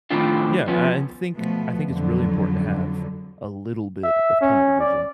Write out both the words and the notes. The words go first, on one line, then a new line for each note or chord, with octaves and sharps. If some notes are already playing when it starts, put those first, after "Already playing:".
Yeah, a and think I think it's really important to have a little bit of tunnel vision.
A2 D#3 F3 C4 D4 F4
F3 B3 C#4
B2 F3 A3 B3
F2 D3 F#3
E5
C#4
D5